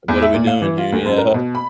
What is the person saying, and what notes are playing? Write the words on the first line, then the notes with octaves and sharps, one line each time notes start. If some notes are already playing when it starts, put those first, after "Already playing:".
"What are we doing here?" Yeah.
E2
E5
A#2
F5
E3
F4
D2
F#2
A#4
B2
B5